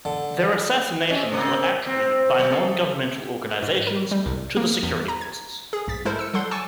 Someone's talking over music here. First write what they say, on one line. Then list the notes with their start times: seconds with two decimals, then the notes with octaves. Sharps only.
Their assassinations were attributed by non-governmental organisations to the security forces.
0.05 D3
1.10 C3 C#4 D#5
1.32 C#3 A#3 C4
1.86 B2 C4
2.39 F#3
2.51 G#4 A4
3.63 G#2
3.87 A#4
4.11 G3
4.26 C2
4.57 A#3
4.83 E2
5.08 A#5
5.21 G#6
5.73 G#4
5.87 B1 G#2 A6 B6
6.05 G#3 E4 A4 A#4 C5
6.19 E6 C#7
6.34 F#3 G3 A4 F#5 C6 G6
6.51 G#5 A5 C#6 D6 E6